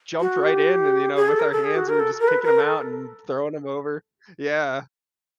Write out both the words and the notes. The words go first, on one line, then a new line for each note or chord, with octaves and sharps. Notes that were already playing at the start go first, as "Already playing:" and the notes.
jumped right in and, you know, with our hands, we were just picking 'em out and throwing 'em over. Yeah.
F#4
G4
G#4
A4
A#4
A4
G#4
F#4
A#4
A4
A#4
B4
A#4
A4